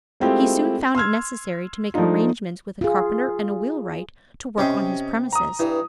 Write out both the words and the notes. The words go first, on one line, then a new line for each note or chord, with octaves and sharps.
He soon found it necessary to make arrangement with a carpenter and wheelwright to work on his premises.
G#3 A3 C4 E4 F4 G4
C6 E6 F6 G#6
F3 A3 D4 D#4 F4
F4 G#4
C3 C#4 G4 D#5 C6
A#5 D#6
G2 E3